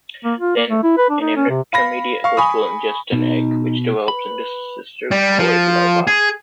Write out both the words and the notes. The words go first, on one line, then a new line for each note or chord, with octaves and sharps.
Then, an intermediate host will ingest an egg, which develops into a cysticercoid larva.
A#3
F4
A#3
A3
E4
B4
D4
D#4
C#4
C3
F5 B5 A#6
F5 C#6
G#5 B5 C#6 D#6
B2 D#4
B4 B5
G3
F3
G#4